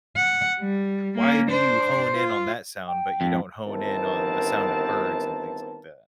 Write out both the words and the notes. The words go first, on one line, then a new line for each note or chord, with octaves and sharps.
why do you hone in on that sound but you don't hone in on the sound of birds and things like that?
F#5
G3
A#3 C#4
D4 C5
F4
G5
F2
G1 D#3 B3 C4 A#4 A5